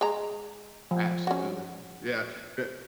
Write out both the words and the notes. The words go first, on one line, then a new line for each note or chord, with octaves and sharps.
Absolutely, yeah, bu
G#3 A#5
F3
C#4 F#4